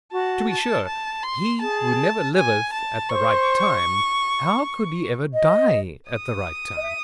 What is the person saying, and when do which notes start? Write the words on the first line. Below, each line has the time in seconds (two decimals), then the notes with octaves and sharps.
To be sure, he who never liveth at the right time, how could he ever die at the right time?
0.12 F#4 A5
0.50 A5
0.87 A5
1.23 C6
1.60 G#4 A5
2.35 G#5
2.73 A5
3.09 C5 C#6
5.33 D#5
6.08 D#6
6.76 D#5
6.82 E5